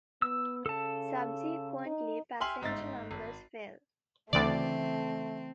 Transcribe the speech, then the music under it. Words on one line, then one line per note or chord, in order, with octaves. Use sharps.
Subsequently, passenger numbers fell.
B3 E6
C#3 A4 A5
D#4
G4 E5 G#5 C6 F6 F#7
G1 G#2 D#4 E5 A6
G#1
D2 C#3 E3 A3 C4 D5